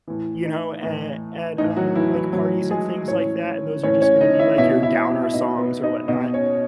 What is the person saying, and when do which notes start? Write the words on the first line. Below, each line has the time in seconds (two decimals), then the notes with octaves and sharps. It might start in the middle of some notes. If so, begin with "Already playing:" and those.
you know, at at, um, like, parties and things like that, and those are just gonna be, like, your downer songs or whatnot,
0.08 A2 E3
0.45 D#4
0.83 A2 E3
1.58 A2 E3 D#4
1.76 F#3 F#4
1.95 E3 E4
2.14 E3 E4
2.33 A2 E3 F#3 F#4
2.71 G#3 G#4
3.08 A2 E3 C#4 C#5
3.83 A2 E3 C#4 C#5
4.01 C#4 C#5
4.21 D#4 D#5
4.39 E4 E5
4.58 B2 E4 E5
4.83 E4 E5
5.08 E4 E5
5.23 E5
5.33 B2 D#4 D#5
5.58 B3 B4
5.83 D#4 D#5
6.08 B2 D#4 D#5
6.34 C#4 C#5